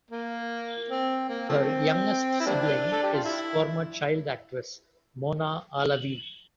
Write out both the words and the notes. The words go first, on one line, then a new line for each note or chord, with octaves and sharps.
Her youngest sibling is former child actress Mona Alawi.
A#3
C4
A#3
F3 A3 C4
E4
G3 A#3 D4
A4
G4
F4
E4